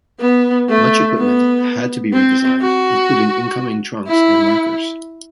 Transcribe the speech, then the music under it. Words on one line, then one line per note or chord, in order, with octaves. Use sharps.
Much equipment had to be redesigned, including incoming trunks and markers.
B3
A3
B3
C4
F#4
E4